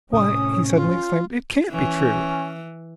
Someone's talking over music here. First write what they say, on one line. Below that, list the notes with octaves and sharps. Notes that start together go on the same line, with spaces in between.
Why!" he suddenly exclaimed, "it can't be true.
A2 C3 C#4 D#6
F4
E3 C#4